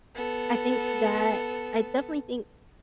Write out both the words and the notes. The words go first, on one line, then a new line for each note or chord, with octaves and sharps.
I think that I definitely think
B3 A4